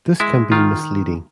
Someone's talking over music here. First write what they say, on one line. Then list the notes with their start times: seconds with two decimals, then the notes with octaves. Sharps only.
This can be misleading.
0.20 G#3 E4
0.52 D#3 F4